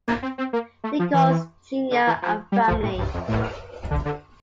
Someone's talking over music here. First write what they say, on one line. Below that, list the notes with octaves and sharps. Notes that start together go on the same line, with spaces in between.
Nichols, Junior and family.
A#3
C4
C4
A#3
A3
F3
E3
D3
E3
F3
G3
F3
A2
G2
F2
A2
D3
D3